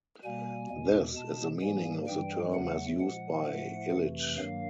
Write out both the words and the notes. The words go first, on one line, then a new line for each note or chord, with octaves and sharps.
This is the meaning of the term as used by Illich.
B2 G3 A#3 G#5
E2 B2 G#3
B2 G#3 A5
G#2 E3 G3 A#3 G#5
G2 E3 G3 G5
E2 C#3 F#3 A3 F#5
A#2 F3 G#3 F#5
A2 F3 A3
F2 C3 E3 A3
G2 D#3 F#3 A#3 F5